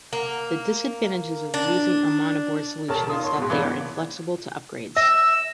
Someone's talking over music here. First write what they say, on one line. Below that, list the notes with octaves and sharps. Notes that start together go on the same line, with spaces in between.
The disadvantages of using a monoboard solution is that they are inflexible to upgrades.
A#3
D4
E1 A#4 C#5 A5
D#4 F4 C6 D#6
C#5 C6
G#2 B2
E3 A#3 B3 C#4 D4 E4
E5 E6